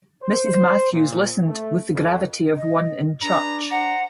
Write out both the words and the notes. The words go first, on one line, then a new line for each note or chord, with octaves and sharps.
Mrs. Matthews listened with the gravity of one in church.
C5
A#2
A3
F2
D#5
D4 G#4 B4 A#5
C5 F#5 A#5